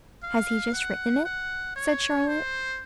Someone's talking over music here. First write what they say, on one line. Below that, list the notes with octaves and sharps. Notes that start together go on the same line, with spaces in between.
'Has he just written it?' said Charlotte.
F5
F#5
F#5
C#5
C5